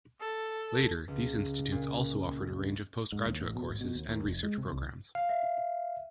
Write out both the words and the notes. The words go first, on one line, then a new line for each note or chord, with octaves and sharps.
Later, these institutes also offered a range of postgraduate courses and research programs.
A4
C#2
A#2
G#2
D#2
A1
B2
G#1
B2
D#2
D#2
F1
G#3
C3
C2
F5
E5